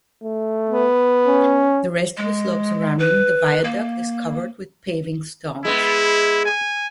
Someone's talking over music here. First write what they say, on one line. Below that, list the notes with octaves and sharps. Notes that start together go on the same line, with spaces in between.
The rest of the slope surrounding the viaduct is covered with paving stones.
A3
B3
C#4
G#3
B4
A#3
G#3 B3 E4
G#5